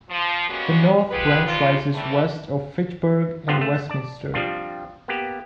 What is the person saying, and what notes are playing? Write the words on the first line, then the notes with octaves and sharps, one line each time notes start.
The north branch rises west of Fitchburg and Westminster.
F3
G3 G#3 A#3 B3 C#4 F#4
B3 F4 G4 G#4 B4
D#2 G#2 F3 G3 F4
E3 G3 A3
G2 D3 B3 C4 F4
A3
D5 A5
F3 G3 C4 D4 F4
A#3 B3 G4